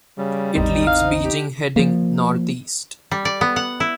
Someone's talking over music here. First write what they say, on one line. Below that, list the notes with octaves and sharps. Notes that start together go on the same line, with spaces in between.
It leaves Beijing heading north-east.
C#3 G3
A1 E2 C4 D#4
F5
G4
F3 A#3
G3
D5
B3
F#5
E4